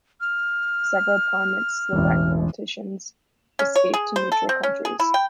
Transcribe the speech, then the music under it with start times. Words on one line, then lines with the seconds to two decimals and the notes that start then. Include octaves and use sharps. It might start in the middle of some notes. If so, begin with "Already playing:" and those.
Several prominent Slovak politicians escaped to neutral countries.
0.21 F6
1.93 E1 A1
3.59 C#4
3.76 C#5
3.94 G#4
4.16 C5
4.32 A4
4.49 C4
4.63 C#4
4.85 G#4
5.00 E4
5.14 G5